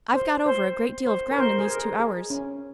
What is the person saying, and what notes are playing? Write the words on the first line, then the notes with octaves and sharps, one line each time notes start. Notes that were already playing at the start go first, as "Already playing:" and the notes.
I've got over a great deal of ground in these two hours.
C5
C5
C5
A#4
C5
G#4
A#4
G#4
C#4